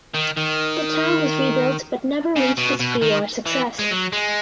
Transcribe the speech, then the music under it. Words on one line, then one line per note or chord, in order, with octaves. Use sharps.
The town was rebuilt but never reached its prewar success.
D#3
D#3
C#3
B2
B2
D#3
E3
G#3
F#3
G#3